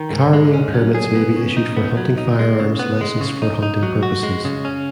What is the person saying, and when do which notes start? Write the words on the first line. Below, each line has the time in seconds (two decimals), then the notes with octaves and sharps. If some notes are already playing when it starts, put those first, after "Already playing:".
Carrying permits may be issued for hunting firearms licensed for hunting purposes.
Already playing: D#3
0.13 G#2
0.33 G#3
0.53 C#4
0.74 F#3
0.95 G#4
1.15 B3
1.36 C#3
1.57 D#4
1.77 B3
1.97 F#3
2.18 D#4
2.39 G#3
2.60 C#3
2.79 B3
3.01 G#3
3.21 C#3
3.42 D#4
3.63 D#4
3.83 F#3
4.03 F#4
4.23 G#3
4.45 C#3
4.65 C#4